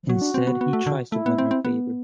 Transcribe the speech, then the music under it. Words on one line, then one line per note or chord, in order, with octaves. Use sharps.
Instead he tries to win her favour.
F#3 F#4
D4
C4
B3
B3
A3
D3
A3 E4
B3
C4
C4
B3